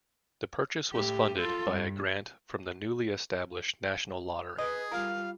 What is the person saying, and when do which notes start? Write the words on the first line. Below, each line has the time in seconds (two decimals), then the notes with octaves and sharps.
The purchase was funded by a grant from the newly established National Lottery.
0.92 A2 G4
1.39 F4 A4
1.71 G2
4.58 G#4 B4 D#5
4.92 G3 F4 A#4 F5